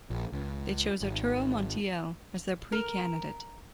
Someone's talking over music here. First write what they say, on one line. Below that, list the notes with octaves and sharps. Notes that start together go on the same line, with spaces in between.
They chose Arturo Montiel as their pre-candidate.
A#1
C#2
G#1
A#4